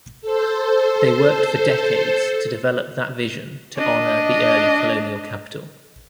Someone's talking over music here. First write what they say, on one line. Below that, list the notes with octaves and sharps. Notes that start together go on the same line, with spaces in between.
They worked for decades to develop that vision to honor the early colonial capital.
A4 C5
D4 D#5